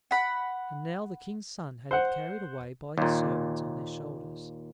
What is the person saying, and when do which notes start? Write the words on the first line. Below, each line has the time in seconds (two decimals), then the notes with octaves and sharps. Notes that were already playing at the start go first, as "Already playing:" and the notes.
And now the King's son had it carried away by his servants on their shoulders.
0.11 F#5 B5
1.91 C5 F#5
2.98 D#2 A#2